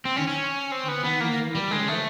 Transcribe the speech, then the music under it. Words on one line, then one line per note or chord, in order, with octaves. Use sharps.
and s I do enjoy that.
C4
C#4
C#4
C4
B3
B3
A#3
G3
G#3
A3